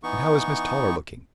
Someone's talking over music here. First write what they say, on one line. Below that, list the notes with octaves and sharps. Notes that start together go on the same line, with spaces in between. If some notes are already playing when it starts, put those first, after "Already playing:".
And how is Miss Toller looking?
E3 B3 D#4 C#6